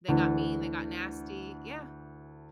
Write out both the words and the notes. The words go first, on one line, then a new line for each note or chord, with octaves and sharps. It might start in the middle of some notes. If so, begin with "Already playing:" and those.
They got mean, they got nasty yeah.
D2 E3